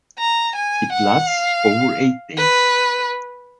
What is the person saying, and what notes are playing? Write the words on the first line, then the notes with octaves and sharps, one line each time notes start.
It lasts over eight days.
A#5
G#5
F#5
F5
B4